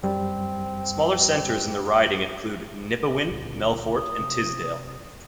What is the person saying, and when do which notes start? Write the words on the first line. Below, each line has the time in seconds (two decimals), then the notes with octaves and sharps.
Smaller centres in the riding include Nipawin, Melfort, and Tisdale.
0.03 F#2 G3 C4
3.31 C#2 A#2 D3
3.95 D#6
4.19 C3